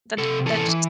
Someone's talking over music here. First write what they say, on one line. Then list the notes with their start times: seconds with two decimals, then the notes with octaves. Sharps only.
That that's just
0.18 C3 A4
0.46 E3 A4